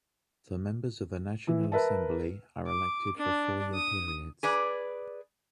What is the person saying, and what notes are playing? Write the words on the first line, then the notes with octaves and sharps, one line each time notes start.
The members of the National Assembly are elected for four-year periods.
E3 E4
A#4 B4 E5 A5
D6
D4
D#6
G#4 B4 D5